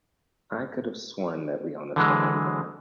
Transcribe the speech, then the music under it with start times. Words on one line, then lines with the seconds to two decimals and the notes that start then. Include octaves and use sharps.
I could have sworn that we own a frying pan.
1.96 D3 E3 F#3 G#3